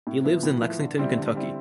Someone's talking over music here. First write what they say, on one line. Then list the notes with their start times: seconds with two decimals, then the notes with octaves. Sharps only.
He lives in Lexington, Kentucky.
0.07 A2
0.24 F3 B3 E4
0.43 A2
0.61 F3 B3 E4
0.79 D3
0.98 G3 C4 E4
1.17 D3
1.35 G3 C4 E4